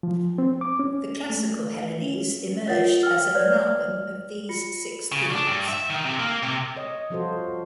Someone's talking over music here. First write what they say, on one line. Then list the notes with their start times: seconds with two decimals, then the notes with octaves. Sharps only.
The classical Hellenes emerged as an amalgam of these six peoples.
0.03 F3
0.38 C4
0.61 D6
0.79 C#4
1.30 A3
2.02 C#4
2.68 F4 A#4 C#5 F#5 A6
3.03 A#4 G5 F6
3.35 B4 C#5 D5
4.49 F4 C#7
5.12 C#3
5.31 D4
5.46 G2
5.69 E5
5.90 D#3
6.05 C3
6.20 A#3
6.43 C3
6.77 C#5 D#5
7.10 F3 G3 F4 F#4 A4 C5